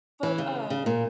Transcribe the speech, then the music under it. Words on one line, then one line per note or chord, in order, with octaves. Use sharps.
But, uh,
E3
C#3
C#3
A#2